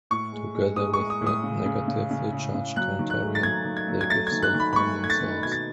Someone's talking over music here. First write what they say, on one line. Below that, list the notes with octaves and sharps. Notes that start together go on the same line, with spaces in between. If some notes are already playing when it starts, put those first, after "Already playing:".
Together with a negatively charged counterion, they give sulfonium salts.
A2 C#6
G#3
G#3
G#3 D#6
C#6
G#3
D#6
A2
D#6
C#3
C#3
C#3
C#3
C#3
C#3
F#3 F#6
D#3
F#6
A3
A6
F#3 G#6
D#3
G#6
F#3
G#6
A3 A6
G#6
D#3
F#6
D#3
B5
B5
A3 C#6
A3
G#6
A6
D#3
B2 G#6
A6